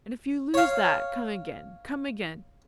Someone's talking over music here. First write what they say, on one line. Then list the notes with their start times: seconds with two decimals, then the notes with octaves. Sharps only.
"And if you lose that, come again, come again."
0.54 C#5 F5